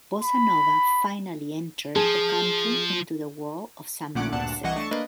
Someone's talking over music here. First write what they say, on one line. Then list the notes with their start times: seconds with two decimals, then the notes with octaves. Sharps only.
Bossa nova finally entered the country into the world of samba music.
0.22 B5
1.95 F3 G#4 A5
4.15 A#1 A#2 A3 C#4 F#5 D6
4.32 D2 G2 A#2 D4 F#5 A5
4.63 C2 C3 E3 D#5 F#5 C#6
4.76 A3 D4 A5 C#6
4.91 A#3 D4 B4 D#5